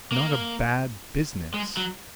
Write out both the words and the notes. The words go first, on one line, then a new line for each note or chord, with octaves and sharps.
"Not a BAD business?"
A#3
G#3
F#3